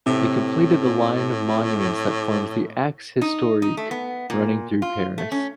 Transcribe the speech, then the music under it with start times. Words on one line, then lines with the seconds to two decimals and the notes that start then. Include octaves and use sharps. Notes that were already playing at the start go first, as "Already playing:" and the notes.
It completed the line of monuments that forms the "Axe historique" running through Paris.
0.06 A2 C3
3.21 D#4
3.62 D#4
3.77 A3
3.91 B3
4.30 A#2
4.82 F4
5.18 A3
5.32 C#4